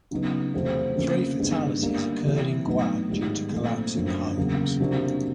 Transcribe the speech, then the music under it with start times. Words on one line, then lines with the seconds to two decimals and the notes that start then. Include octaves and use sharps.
Three fatalities occurred in Guane due to collapsing homes.
0.11 C#3 F#3 B3 D#4
0.54 E2 C3 F3 A3 C4
0.96 C#3 F3 A#3 C#4
1.39 G2 D#3 G#3 B3
1.82 D3 G3 A#3 D4
2.24 C3 E3 G3
2.66 A2 F#3 B3 D#4
3.09 G#2 D#3 G3
3.52 A#2 F3 A3 C4
3.95 F#2 D3 F3
4.37 E2 C#3 F#3 A#3
4.80 C3 F3 A#3 D4 F#4